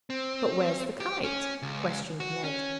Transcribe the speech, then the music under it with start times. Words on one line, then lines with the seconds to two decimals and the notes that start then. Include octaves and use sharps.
"But where's the kite?" questioned Ned.
0.10 C4
1.00 G4
1.24 C#4
1.62 C#2
2.20 F#4
2.44 C#4